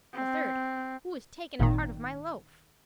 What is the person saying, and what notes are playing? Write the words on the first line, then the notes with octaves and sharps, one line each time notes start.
The third, "Who has taken part of my loaf?"
C4
G#1 A#2 D#3